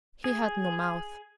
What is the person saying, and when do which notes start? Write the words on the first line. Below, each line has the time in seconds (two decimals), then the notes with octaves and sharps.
He had no mouth.
0.24 G#4